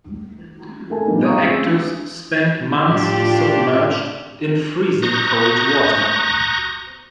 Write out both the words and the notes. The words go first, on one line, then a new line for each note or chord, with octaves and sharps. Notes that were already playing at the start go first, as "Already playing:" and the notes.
The actors spent months submerged in freezing cold water.
A3 A#4 G#5 A5
F3 G3 A#3 B3 D4 D#4
F5 G5 A#5 C#6 D#6
D2 G#3 C4 C#4 E6 A6
D4
A2 D4 F4 G4
A#5 C#6 D#6 F#6 G6 A#6